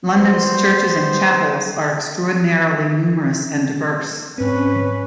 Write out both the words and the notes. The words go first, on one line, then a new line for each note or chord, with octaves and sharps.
London's churches and chapels are extraordinarily numerous and diverse.
G3 B3 C5
G#2 C4 C#4 B4